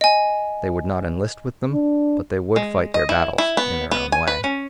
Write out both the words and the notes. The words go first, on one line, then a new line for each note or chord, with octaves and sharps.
They would not enlist with them, but they would fight their battles in their own way.
D#5 G#5
D4
G#3
D#5
E4
E4
B3
B3
G#5
B4
C#4